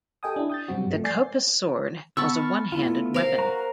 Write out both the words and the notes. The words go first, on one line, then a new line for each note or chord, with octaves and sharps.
The kopis sword was a one-handed weapon.
G4 A4 D#5 G5 G#5 D#6
D4 E4
D#6 G6 A6
G2 C3 F#3 G3 C4 F#4
F3 A3
D5 G#5 G6 A6 C7
B3 F#5 A5 B5 C#6 E6
F6
A3 B3 E4 F4
A#4 C5 F5
F#4 A#5